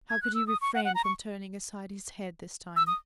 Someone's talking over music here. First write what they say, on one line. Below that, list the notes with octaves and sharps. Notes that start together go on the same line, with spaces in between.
How could he refrain from turning aside his head this time?
G#6
F#6
E6
D#6
C#6
F#5
F#5
A#5
C#6
E6
D#6